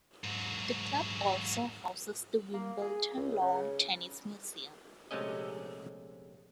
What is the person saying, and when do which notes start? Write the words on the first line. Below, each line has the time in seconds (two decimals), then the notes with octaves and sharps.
The Club also houses the Wimbledon Lawn Tennis Museum.
0.24 G#2 F#3
2.54 A#3
2.82 G#4
3.16 C#2
3.41 C#3
5.11 A#1 C3 G#3 A3 C#4 D#5